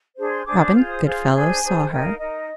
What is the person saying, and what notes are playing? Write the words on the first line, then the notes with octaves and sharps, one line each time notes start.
Robin Goodfelllow saw her.
D4 G#4 C5
C6
D4 G#4 C5 D6
F4 G#4 C5
D#6
F4 G#4 C5 C6
D4 G#4 C5 G#5
D4 G#4 C5
D#4 A#4 G5
D#5
F5
D#4 A#4 D#5